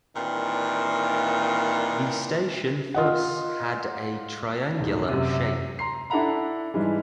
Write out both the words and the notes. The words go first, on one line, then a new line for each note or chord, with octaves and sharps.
The station thus had a triangular shape.
A#2 D#3 E3 G3 C4 D4
F4 D#5 F#5
D#1 G#2
F#2 C3
A#5 C6 C7
D4 E4 A4 F#5 A#5 B5
G#2 E3 G3 G#3